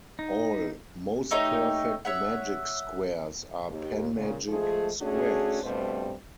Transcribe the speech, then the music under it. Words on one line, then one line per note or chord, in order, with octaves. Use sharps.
All most-perfect magic squares are panmagic squares.
D#4
A3 D#4 G4 C#5
C#5 E5 F#5
D#2
A#2 C#3
F3 G#3 A3 G#4
A3 C#4 D4 F#4 G#4
G2 B2 G3 A3 C4 C5